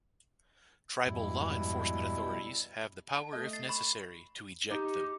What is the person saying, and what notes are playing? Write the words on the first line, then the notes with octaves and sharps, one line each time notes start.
Tribal law enforcement authorities have the power if necessary, to eject them.
F2 G#2 B2 G3 E4
A5
A3 D#5
A6 C7
B5 C#6
D#4 G4